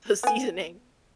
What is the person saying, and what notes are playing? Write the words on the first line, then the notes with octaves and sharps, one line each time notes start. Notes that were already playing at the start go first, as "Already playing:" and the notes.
the seasoning.
B3 G#5